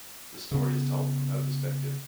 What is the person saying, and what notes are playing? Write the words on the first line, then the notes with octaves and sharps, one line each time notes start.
The story is told from her perspective.
C#3 B3